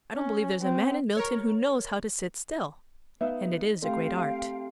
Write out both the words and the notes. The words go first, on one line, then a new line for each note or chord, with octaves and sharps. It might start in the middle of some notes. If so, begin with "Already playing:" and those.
I don't believe there's a man in Milton who knows how to sit still; and it is a great art.'
C#4
C4
A#4 C#5
B3 D#4 E5 F5
A3 C4 G4 F5 G5 C6